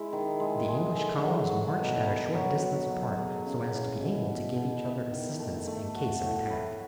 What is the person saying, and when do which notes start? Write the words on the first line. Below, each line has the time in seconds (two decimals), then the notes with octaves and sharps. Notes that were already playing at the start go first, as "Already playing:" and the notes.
The English columns marched at a short distance apart so as to be able to give each other assistance in case of attack.
Already playing: G#3 E4
0.13 D#3
0.40 G#3
0.68 G#3
0.96 A4
1.23 F#3
1.51 F#4
1.79 B2
2.07 B4
2.34 F#3
2.62 F#3
2.90 F#3
3.17 G#4
3.45 C#3
3.73 E4
4.00 B2
4.28 B2
4.56 B2
4.84 E4
5.12 D#3
5.40 A3
5.67 A3
5.95 F#4
6.23 A2
6.50 B4